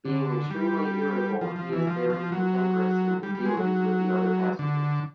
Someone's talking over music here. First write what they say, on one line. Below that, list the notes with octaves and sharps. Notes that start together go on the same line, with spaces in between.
Being extremely irritable, he is very cantankerous in his dealings with the other passengers.
D3
G3
F3
F3
E3
F3
F3
F#3
G3
G3
G#3
F#3
D3